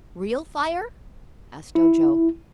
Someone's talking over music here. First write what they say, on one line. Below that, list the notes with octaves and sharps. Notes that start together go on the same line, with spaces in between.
"Real fire?" asked Ojo.
E4